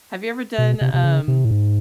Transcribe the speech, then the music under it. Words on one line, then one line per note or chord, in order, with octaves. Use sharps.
Have you ever done, um
B2
C3
C3
C#3
C3
A2
G#2